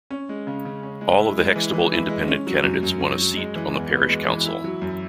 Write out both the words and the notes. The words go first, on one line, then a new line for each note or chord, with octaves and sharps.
All of the Hextable Independent candidates won a seat on the Parish Council.
C#4
G#3
C#3
C#3
C#4
G#3
E4
G#3
E3
E3
E4
G#3
C#4
F#3
F#2
F#2
C#4
F#3
G#3
E3
E2
B3
G#3
E3
E4
F#3
F#2